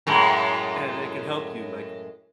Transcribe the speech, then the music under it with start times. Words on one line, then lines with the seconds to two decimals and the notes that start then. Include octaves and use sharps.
and it can help you, like,
0.07 F#2 A2 G#3